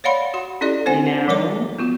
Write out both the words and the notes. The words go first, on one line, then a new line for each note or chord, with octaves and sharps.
You know?
C#5 D5 F5 F#5 B5 C6
F#4 F#5 C6
C#4 E4 G4 A4 D5 D#5
C4 C5 F#5 G#5
F3 G3 A#4 D5 D6
B3 F4 F#4